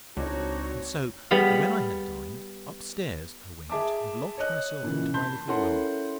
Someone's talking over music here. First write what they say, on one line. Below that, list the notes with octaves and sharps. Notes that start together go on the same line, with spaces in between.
And so, when I had dined, up stairs I went, and locked myself into my little room.
C#2 C4 D4 D#4 F#4 C#5
G3 B3 F5
G#4 E5 A5 D6
C#5 D#5 F#6
A#2 C#3 E3
A5 B5 C6 G6
C#4 E4 A4 A#4 F#5 C6